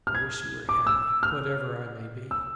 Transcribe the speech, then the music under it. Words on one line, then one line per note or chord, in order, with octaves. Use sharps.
"I wish you were happy, whatever I may be!"
F6
G#6
D6
E6
F6
E6